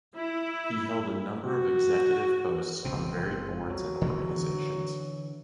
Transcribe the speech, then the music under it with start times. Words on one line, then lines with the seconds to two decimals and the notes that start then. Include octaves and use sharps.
He held a number of executive posts on varied boards and organizations.
0.17 E4
1.41 F#4
2.85 F#1 C#2 B2 C4
3.70 F#3
4.01 D3 E3 B3